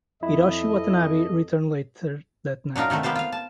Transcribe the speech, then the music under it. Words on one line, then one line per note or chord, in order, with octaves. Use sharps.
Hiroshi Watanabe returned later that night.
F2 E4 A4 D#5
F#3 D4 D#4 F4 A#4
C3 D#3 F#3 A3
A#3 B3 G4 C5 A5
F4 F5
A5